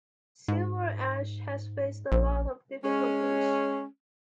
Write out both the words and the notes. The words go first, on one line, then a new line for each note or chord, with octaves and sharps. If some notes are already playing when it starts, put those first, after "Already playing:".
Silver Ash has faced a lot of difficulties.
G#2
A#1
G#3 C#4